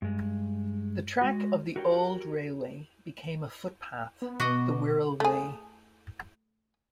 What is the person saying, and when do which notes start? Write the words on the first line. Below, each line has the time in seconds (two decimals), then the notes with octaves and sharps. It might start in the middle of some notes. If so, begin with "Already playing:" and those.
The track of the old railway became a footpath, the Wirral Way.
0.02 G2 G#3
1.21 G#3 F#4
1.76 F#4 G4 A#4 C#5 F#5 G5
4.22 B3
4.40 B2 F#4 D#5 D6
5.20 A3 G#4